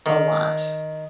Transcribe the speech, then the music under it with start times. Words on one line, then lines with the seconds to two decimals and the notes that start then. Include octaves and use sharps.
a lot.
0.06 D#3